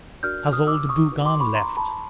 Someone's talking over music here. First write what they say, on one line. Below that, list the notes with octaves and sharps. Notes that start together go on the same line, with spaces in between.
"Has old Bougon left?"
D4 F#4 A#4 D5 F6 G6
D#6 F6
D6 E6
C#6 D#6
D#4 F#4 B4
C6 D6
B5 C#6
A#5 C6
A5 B5